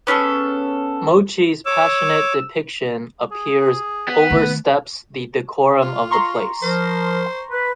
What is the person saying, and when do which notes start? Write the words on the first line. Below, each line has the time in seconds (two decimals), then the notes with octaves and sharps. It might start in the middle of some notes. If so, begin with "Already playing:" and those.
Mochi's passionate depiction appears oversteps the decorum of the place.
0.07 B3 C#4 G#4 A4
1.66 C#5 D6 E6
3.32 G#4
4.08 B3
4.30 D#3 A3
5.81 F4
6.11 A#5 C6 C#6
6.62 F3 A#4 C5
7.51 B4